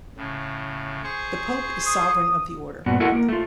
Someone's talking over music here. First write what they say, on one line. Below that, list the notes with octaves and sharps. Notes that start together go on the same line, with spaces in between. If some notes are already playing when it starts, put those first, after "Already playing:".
The pope is sovereign of the order.
A2 C#3
G#4 C5 C#6
D#6
G2 A#2 B3 F#4
E4 F#4 A4 A#4 D#5 F#5
A#3 A#4
A3 F4